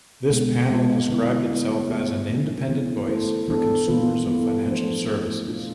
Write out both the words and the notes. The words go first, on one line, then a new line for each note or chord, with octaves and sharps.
This panel described itself as "An Independent Voice for Consumers of Financial Services".
B2 G#3 B3
G#3 B3 F4
D3 G#3 B3 E4 B4
G#3 B3 E4 B4
C3 E3 B3 F4 G#4
D3 F3 A3
E3 B3 E4
A3 E4 A4 C5
E3 G#3 B3 D4 A4
E3 B3 F4 B4
B3 E4 A4
F3 A3 D4 A4 C5
A3 C4 E4
B2 A3 D4 F4